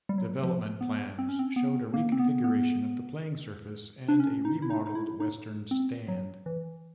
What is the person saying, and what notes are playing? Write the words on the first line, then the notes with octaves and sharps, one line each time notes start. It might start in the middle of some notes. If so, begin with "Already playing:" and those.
Development plans showed a reconfiguration of the playing surface and a remodelled western stand.
G3
F#3
F3
B3
C4
C#4
C4
B3
A#3
C4
B3
B3
D4
C#4
D#4
E4
D#4
D#4
E4
D#4
C4
F#3
E3